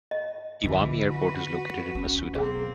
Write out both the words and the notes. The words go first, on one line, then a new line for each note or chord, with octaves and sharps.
Iwami Airport is located in Masuda.
D#5
F#2 D3 E3 G3
F#4 B4
D#2 C#4
B2 F#3 A#3 C4 G#4